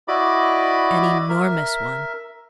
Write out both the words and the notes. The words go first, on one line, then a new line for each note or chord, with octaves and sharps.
"An enormous one."
E4 F#4 D5 D#5 B5 D6
A#4 E5